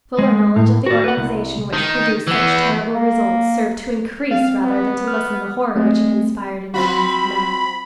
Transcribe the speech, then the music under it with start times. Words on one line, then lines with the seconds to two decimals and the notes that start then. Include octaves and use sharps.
Fuller knowledge of the organization which produced such terrible results served to increase rather than to lessen the horror which it inspired in the minds of men.
0.18 G#3
0.56 A2
0.86 F#4 D5
1.04 B4 F#5
1.17 C2
1.73 D#3
2.27 E3 B3
2.94 A#3
4.31 C4 F5
4.64 B3
5.08 F6
5.76 G#3 A3 C4
6.74 C4 F4 F#4 B5